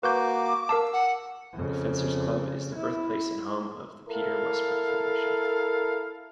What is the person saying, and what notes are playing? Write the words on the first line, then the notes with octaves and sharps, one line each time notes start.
The Fencers Club is the birthplace and home of the Peter Westbrook Foundation.
A#3 F#4 B4 D6 G6
A#4 F5 A5 E6
F#5
F2 C#3
E4
E4 A4 A#4 F5